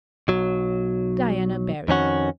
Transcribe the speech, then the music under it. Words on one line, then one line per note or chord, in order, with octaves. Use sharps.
Diana Barry.
B1 F#3
F2 D#3 C#4 F#4